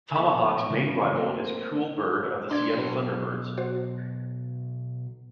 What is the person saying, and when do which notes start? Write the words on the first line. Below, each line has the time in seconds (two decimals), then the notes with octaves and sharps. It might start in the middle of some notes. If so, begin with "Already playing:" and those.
Tom-A-Hawk's main rival is Cool Bird of the Seattle Thunderbirds.
0.16 F3 B3 A4 B5
0.70 C#3 E3 F3 G3 G#3 C#4
1.16 A3 A#3 C4 A#4 C5
2.51 B1 D4 D5 C6 G#6
3.57 F#4 C5